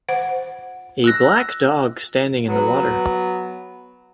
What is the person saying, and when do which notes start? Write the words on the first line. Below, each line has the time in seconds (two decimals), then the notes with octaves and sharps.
A black dog standing in the water.
0.09 C5 F#5
1.04 E6 F#6 A#6
2.49 F#3 B3